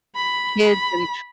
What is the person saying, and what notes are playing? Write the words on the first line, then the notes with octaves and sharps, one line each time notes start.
kids and
B5
B5